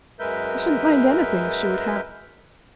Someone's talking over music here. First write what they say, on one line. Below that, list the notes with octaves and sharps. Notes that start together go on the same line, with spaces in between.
I shouldn't mind anything if she would have me.
F#2 G#3 A#4 B4 E5 G6